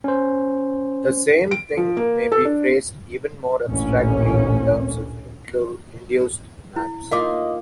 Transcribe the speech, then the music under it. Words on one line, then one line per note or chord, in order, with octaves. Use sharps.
The same thing may be phrased even more abstractly in terms of induced maps.
C#4 C5
D7
F3
A#3
A4
D4
A1 D2 A#2 C#4
E4
A#3 D#4 F4 D#5 F5 D6